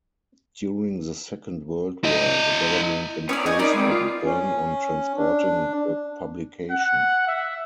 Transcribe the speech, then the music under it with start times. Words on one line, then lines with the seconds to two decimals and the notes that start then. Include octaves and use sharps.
During the Second World War the government imposed a ban on transporting the publication.
2.04 E4 D#5
3.29 B3 C#4 C#5 D5
3.46 C#5 D#5 G#5 G6
3.59 A#3 B3 D#4 D5
3.74 G#3 C4
3.91 F4
4.24 C#4
5.16 D4
6.71 F#5
7.27 E5